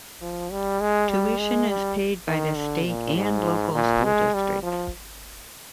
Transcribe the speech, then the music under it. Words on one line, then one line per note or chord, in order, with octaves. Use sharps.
Tuition is paid by the state and local school district.
F3
G3
G#3
G3
G#3
G3
D#3
D3
A#2
G#2
A#2
G#3
G3
F3